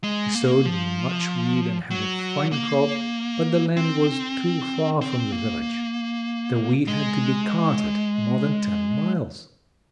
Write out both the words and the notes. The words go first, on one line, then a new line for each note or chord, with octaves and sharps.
He sowed much wheat and had a fine crop, but the land was too far from the village--the wheat had to be carted more than ten miles.
G#3
A#3
F3
F#3
A#3
C4
C4
A#3
G#3